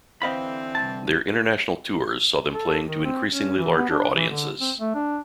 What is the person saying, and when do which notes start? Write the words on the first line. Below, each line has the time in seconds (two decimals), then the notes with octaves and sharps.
Their international tours saw them playing to increasingly larger audiences.
0.22 D3 E3 C4 D#5 F5 B5
0.75 C2 A5
2.54 A4
2.85 D#3
3.05 C4
3.28 C#4
3.58 E3
3.77 B3
3.90 D4
4.15 E3
4.30 D3
4.61 C4
4.79 A3
4.95 D4